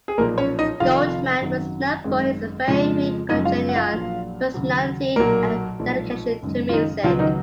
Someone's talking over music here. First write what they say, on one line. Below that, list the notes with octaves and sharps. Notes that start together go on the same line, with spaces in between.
Goldman was known for his very congenial personality and dedication to music.
G#4
B1 A#2 F3 A#3 A#4
C#4 C#5
D#4 D#5
F1 F2 D#3 F4 F5
G#1 F#2 D#3 F#3
G#1 F#2 D#3 G#3
F2 C#3 F3 G#3
F#1 F#2 F3 G#3 D#4 D#5
F4 F5
F#5
F4 F5
A#1 A#2 F#3
D#2 C#3 F#3
B1 A#2 F#3 A#3 A#4
B1 A#2 F3 G#3
F#1 F#2 D#3 G#3
F4
D#3 D#4
C#2 B2 F3 F#3 F4
D#3 D#4